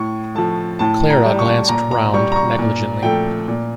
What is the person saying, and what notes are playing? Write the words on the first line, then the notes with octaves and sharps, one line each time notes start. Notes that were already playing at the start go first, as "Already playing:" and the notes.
Clara glanced round negligently.
Already playing: A2 C#6
F3 A3 A5
A2 A5
A#5
G3
C#6
A#2 A#5
A#5
G3 C#6
A#5
C#6
A#2
F3 A3 G5
A#2